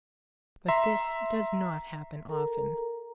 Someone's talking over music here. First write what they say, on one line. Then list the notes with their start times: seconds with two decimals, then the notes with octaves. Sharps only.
But this does not happen often.
0.68 E5 A#5 C6
2.29 A4 A#4 A#5